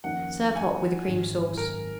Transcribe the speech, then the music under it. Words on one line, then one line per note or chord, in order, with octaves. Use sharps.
Serve hot with a cream sauce.
F2 D#3 A#3 C#4 F#5
G#5
G#1 F#2 D#3 G#3
A#4